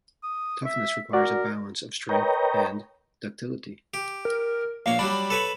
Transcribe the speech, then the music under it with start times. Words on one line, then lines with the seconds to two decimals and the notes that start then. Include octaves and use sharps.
Toughness requires a balance of strength and ductility.
0.23 D#6
0.65 E5
1.13 F#4 A#4 D5
2.09 A#4 B4 C#5 D#5 G5 A#5
3.94 G4
4.25 A#4
4.86 A#1 A#3 C#5 F5
4.99 F#3 G3 D4 B5
5.30 A4 B4 C#5